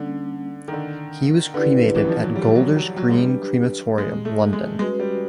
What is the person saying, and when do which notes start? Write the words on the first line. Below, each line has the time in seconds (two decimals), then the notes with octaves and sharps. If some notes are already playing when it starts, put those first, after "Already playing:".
He was cremated at Golders Green Crematorium, London.
Already playing: D3 G3 A#3 C#4
0.68 D#3
0.73 D3
1.54 D3 C#4 E4 G4 B4 D5
1.96 E3
2.09 F3
2.22 F#3
2.36 G3
2.55 F#3
2.76 F#3
2.96 F#3
3.10 G#3
3.16 G3 D4 G4 B4
3.98 G#3
4.25 A3
4.53 G#3
4.79 G#3 C#4 F#4 B4
5.00 G3